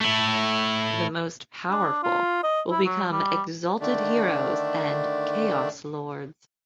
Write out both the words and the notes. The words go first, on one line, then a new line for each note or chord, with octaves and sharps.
The most powerful will become "Exalted heros" and "Chaos lords".
A3 E4
D4
F4
D#5
E4
F#3
G3
D3 D#3 A3 D4